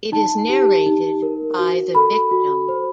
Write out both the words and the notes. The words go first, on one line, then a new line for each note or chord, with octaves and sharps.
It is narrated by the victim.
D#4 A5
G4
D#4
A#4
F#4
A4 B5
F#4
C5